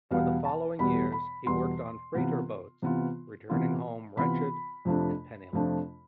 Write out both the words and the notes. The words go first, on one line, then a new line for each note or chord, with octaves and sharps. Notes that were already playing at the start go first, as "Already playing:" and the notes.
For the following years he worked on freighter boats, returning home wretched and penniless.
E2 B2 G3 B3 F5
A5
E2 B2 G3 B3 B5
B5
E2 B2 G3 B3 C6
C3 E3 B3 F4
C3 E3 B3 F4
C3 E3 B3 F4
C3 E3 B3 F4 B5
F2 C3 F3 A3 D4
F2 C3 F3 A3 D4